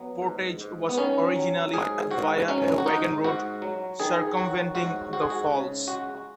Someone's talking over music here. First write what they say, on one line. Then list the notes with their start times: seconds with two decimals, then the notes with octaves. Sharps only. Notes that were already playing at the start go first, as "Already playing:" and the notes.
Portage was originally via a wagon road circumventing the falls.
Already playing: F#3 B3
0.22 G#2
0.61 G#2
0.89 B3
0.98 D#3 C#4
1.36 F#3
1.73 G#2 G#4
2.11 G#2 F#4
2.48 F#3 C#4
2.78 F#4
2.86 G#2 D#4
3.24 G#2 F#4
3.62 F#3
4.00 D#3 G#4
4.37 F#3 F#4
4.75 G#2 F#4
5.13 G#2 F#4
5.22 G#4
5.30 F#4
5.50 C#3
5.88 G#3 F#4